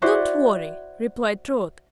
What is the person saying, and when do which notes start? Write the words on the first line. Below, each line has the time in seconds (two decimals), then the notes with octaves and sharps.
"Don't worry," replied Trot.
0.02 E4 F#4 C5 D5